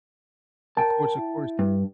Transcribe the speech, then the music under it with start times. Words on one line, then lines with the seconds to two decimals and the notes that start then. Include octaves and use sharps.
Of course, of course.
0.77 A#4 G5 A5
1.18 E4
1.59 G2